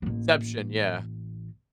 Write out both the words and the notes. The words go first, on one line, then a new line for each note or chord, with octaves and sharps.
Inception. Yeah.
A1 A#3